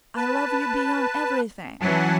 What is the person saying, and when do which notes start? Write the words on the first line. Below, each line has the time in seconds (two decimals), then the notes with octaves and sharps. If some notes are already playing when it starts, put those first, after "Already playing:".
I love you beyond everything....
0.16 B4 A5
1.81 E3 F#3 C#4 F#5 G#5 A5